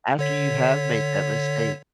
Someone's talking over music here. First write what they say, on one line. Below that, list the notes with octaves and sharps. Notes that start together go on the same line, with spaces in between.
after you have made that mistake
D3 C#5 B6